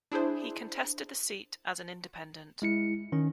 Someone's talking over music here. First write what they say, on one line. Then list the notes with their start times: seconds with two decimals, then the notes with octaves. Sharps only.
He contested the seat as an independent.
0.12 D4 E4 G#4 C5
2.62 G#3 E4 C#7
3.12 D#3 C#4